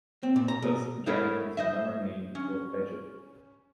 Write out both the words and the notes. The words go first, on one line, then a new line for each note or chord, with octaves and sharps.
Thus, Gang is another name for Egil.
C4
A#2
A#5
B2
A3 B3 E4 A#4 C#5
C5 D#5 E5
C#4